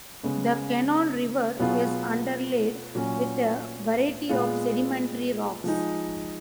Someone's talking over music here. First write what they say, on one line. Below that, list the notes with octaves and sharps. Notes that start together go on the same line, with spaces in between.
The Cannon River is underlaid with a variety of sedimentary rocks.
C#3 G#3 B3
B2 F#3 B3 F4 G#4
A#2 F#3 C#4
A#2 G#3 B3 F4 G#4
F3 G#3 D#4